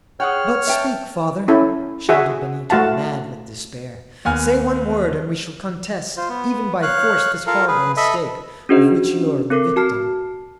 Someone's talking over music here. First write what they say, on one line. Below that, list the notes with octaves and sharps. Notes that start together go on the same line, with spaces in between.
"But speak, father!" shouted Benito, mad with despair; "say one word, and we shall contest even by force this horrible mistake of which you are the victim!"
G#4 C#5 F#5 G5 F6
E5 G5 A5
C#4 E4 A4
F#4 G#4 E5 G#5
A3 F#4 F5 A5
D#2 B3 G#5 F6
F4 C5
B3
C#5 F5 F#6
F4 A4 A#4 F5
G#4 B4
A4 D#5 E5 B5
C#4 D4 F#4 G#4 C5 D#5
C4 A4 A#4 D6 C7
F#4 A5 F6 C7